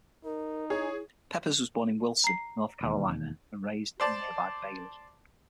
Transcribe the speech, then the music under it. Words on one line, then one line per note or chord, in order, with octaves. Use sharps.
Peppers was born in Wilson, North Carolina, and raised in nearby Bailey.
D#4 A#4
E4 G#4 C#5
A#5 C7
E1 D#2
C5 D5 A5